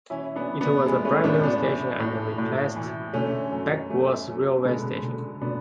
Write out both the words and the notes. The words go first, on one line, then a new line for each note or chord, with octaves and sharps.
It was a brand-new station, and replaced Backworth railway station.
E3 C#4 E4
B3 D4
E3
B3 D4
E3 G#3 B3
A3 C#4
A2 B3 D4
B3 D4
E3
A2
A2
E3
D3 A3 C#4
F#2
F#2 A3
F#2
D3 G#3 B3
D3
D3 B3 D4